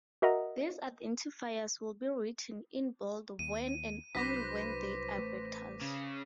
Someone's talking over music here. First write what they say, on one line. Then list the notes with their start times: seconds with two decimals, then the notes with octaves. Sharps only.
These identifiers will be written in bold when and only when they are vectors.
0.22 F#4 A#4 D#5 E5 F#5 A#5
3.39 D#2 D#7
4.15 C2 F#3 D4 B4 C5 D6 A#6 B6
5.18 A1 A3
5.81 C#3